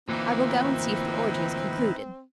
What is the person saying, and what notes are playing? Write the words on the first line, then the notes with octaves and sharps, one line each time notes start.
I will go and see if the orgy is concluded.
D2 A#2 E3 C4 D#4 E4 B4